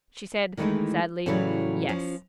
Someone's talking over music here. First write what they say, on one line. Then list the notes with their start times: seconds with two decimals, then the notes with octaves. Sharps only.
She said, sadly, 'Yes!
0.57 D#3 E3 G#3 A3 D#4 E4
1.26 A2 C#3 E3 F#3 G3
1.89 F3 C#4